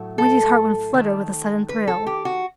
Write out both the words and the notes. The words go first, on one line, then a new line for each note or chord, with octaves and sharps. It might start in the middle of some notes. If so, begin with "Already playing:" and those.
Wendy's heart went flutter with a sudden thrill.
Already playing: A2 F#3 A3
A4
D#3 A3
B4
A4
G4
F#4